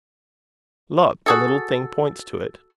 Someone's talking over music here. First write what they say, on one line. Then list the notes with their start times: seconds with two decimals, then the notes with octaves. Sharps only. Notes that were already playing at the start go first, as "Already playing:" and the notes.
"Look, the little thing points to it."
1.26 F#4 G#4 A4